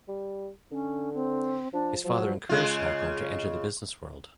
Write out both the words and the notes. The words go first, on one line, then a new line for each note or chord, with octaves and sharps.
His father encouraged Holcomb to enter the business world.
G3
D3 C#4
C4
F3 D4
F3 F#3
C#3 G#3 F4